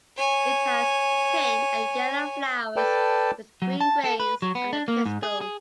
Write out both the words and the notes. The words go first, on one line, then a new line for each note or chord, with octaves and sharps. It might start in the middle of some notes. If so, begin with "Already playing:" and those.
It has pink and yellow flowers with green grains on the pistil.
C#5 G#5
A4 B4 D5 G5 A5
F#3
A5
A4
B4
F#3
B3
D4
A#3
G#2
G#4
G#4